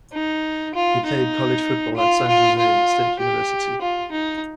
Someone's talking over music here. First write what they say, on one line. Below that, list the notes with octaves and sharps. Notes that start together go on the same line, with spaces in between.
He played college football at San Jose State University.
D#4
F4
D#4
F4
F4
F4
G4
F4
D#4